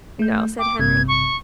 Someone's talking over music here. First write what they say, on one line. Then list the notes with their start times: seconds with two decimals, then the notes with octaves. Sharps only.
"No," said Henry.
0.19 A3 G6
0.59 G5 D6
0.80 A1 G2 C3 G#6
1.08 C#6